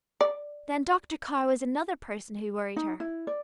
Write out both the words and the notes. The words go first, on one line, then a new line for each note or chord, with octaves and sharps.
Then Dr. Carr was another person who worried her.
D5
D#4
E4
D5